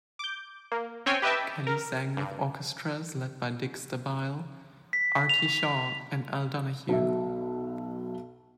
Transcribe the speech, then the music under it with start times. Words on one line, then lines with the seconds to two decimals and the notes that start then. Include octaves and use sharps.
Kelly sang with orchestras led by Dick Stabile, Artie Shaw, and Al Donahue.
0.19 D6 G6
0.72 A#3
1.06 C4 C#4 C#5 G5 G#5
1.22 G4 B4 D#5 E5 G5 A5
1.67 A#4
2.17 G2
4.93 B6
5.29 F7
6.89 B1 B2 E5